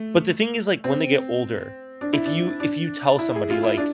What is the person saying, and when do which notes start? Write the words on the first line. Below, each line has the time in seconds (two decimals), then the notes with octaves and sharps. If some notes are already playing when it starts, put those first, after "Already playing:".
But the thing is, like, when they get older, if you if you tell somebody, like,
Already playing: A3
0.84 C4
2.01 D4
2.13 E4
2.26 D4
2.60 D4
3.19 E4
3.36 G#4
3.50 F4
3.63 E4
3.77 D4